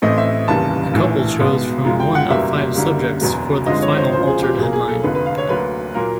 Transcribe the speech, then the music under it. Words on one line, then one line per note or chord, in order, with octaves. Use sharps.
The couple chose from one of five subjects for the final altered headline.
A1 A2 E3 A3 C4 D#5
E5
F1 D#2 C#3 E3 G3 A5
A#1 A2 E3
B1 B2 G#3 B3
F#2 C#3 F3 G#3
G5
F#5
F#1 E2 B2 G3 A#3 E5
F#2 D3 G3 A#3
E1 E2 B2 F#3 B3
G2 D3 F3 G#3 C4 D#5
C#5
C5
E1 D2 C#3 F3 C5
G#4
G4
B1 A#2 F#3 A#3 G#4
G#4
A4
F1 F2 D3 B4
B4
F5
C#5
D2 D3 F#3 A#3 B4
A#2 F#3 A#3 A#4